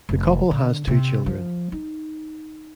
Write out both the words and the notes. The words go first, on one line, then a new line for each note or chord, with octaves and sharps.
The couple has two children.
F1
D3
C3
F3
D#4